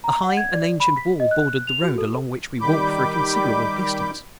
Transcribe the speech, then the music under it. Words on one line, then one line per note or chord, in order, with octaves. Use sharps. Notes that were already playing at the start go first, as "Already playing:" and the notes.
A high and ancient wall bordered the road along which we walked for a considerable distance.
A#5
F#5
G#6
D5
B5
B6
D#5
F#6
F7
F#4
A4
D#3 G3 B5 D6 G6